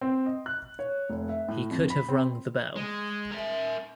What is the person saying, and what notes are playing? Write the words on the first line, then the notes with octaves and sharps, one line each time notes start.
He could have rung the bell.
C4
D#5
F#6
C#5
F1
E5
A2
F2
B5
C4
G#3
A#4 E5